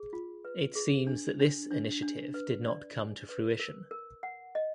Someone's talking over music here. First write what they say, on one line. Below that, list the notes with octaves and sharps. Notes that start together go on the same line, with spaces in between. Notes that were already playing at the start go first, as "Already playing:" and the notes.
It seems that this initiative did not come to fruition.
Already playing: G#4
F4
B4
G#4
D4
D4
D4
D4
B4
D5
G#5
B4
A#4
A#4
F#5
D#5